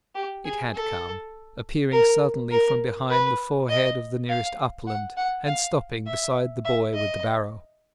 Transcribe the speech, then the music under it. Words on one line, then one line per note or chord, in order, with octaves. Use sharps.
It had come--appearing suddenly from behind the forehead of the nearest upland, and stopping beside the boy with the barrow.
G4
G#4
A4
A#4
A#4
B4
D#5
F5
F#5
F#5
F5
E5
E5
D#5